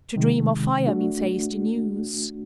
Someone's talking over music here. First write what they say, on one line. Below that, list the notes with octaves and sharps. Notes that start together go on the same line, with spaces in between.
To dream of fire means hasty news.
C3 D#3 G#3
A3 D4 F#4